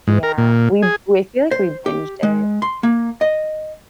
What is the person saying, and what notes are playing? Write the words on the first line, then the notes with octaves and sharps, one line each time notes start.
Yeah, we we feel like we binged it.
G#2
A#4
A#2
G#4
C5
G4
G#3
C6
A#3
D#5